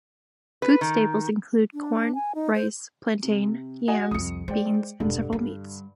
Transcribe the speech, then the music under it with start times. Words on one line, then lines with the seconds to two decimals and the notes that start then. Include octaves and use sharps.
Food staples include corn, rice, plantain, yams, beans and several meats.
0.62 B4
0.81 D#3
1.74 D4
2.15 G#5
2.35 D#4
2.55 C5
3.23 C3
3.88 F#4 D#5 G#5
4.11 C2 F2 D#6 C#7
4.48 G#3 C5 D5 G5
5.00 E1 G2 D3
5.33 G3